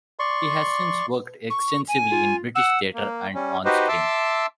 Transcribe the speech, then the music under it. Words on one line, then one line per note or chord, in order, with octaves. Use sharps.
He has since worked extensively in British theatre and on screen.
D5 C6 C#6
C#6
G#5
F4
F#5 E6
A#3
G3 C#4
D#4 F#4 G4 B4 C5 D#5
E5 A5 C6 D6 E6